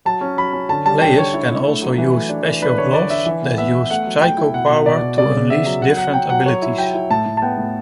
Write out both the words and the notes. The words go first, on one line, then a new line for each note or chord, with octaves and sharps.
Players can also use special gloves that use psychopower to unleash different abilities.
F#3 A5
C#4
F#3 B5
C#4
D3 A5
G3 A5
D3 G5
D3 C#5
E4
E4
A3
F#3
E3
A3
D4
E3
D4 B4
D3 C#5
D4 D5
D4 E5
E3
B3
B3 E5
B3
A3 F#5
F#3
A3 G5
E4
B2 F#5
B2
B2 D5
B2
C#3 D5
C#3
B3 E5
F#3
F#3 F#5
F#3 F#5
F#3 G5
F#3 F#5
F#3 C#5
E4
F#3 G5
E4
A2 A5
A2
A5
B3 G5
A2